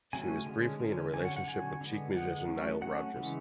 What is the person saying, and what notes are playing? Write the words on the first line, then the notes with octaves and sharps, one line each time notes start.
She was briefly in a relationship with Chic musician Nile Rodgers.
C#3 F#3 A3 C#4 G#5
D3 G#3 C#4
D3 G#3 C#4
D3 F#3 C#4 G#5
F#5
F#5
D3 F#3 C#4 G#5
D3 G#3 B3
D3 G#3 B3 F#5
F#3 A3 C#4
F#3 A3 C#4 F#5
C#3 E3 G#3